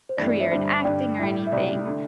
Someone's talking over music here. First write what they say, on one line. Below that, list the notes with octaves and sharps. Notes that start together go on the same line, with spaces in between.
career in acting or anything.
C5
G2 E3 A3 C4 D5
D5
C5 E5
G2 D3 G3
G2 D3 G3 D5 G5
A2 G3 E4
E5
C2 C3 A3 E4 D5 G5
D3 A3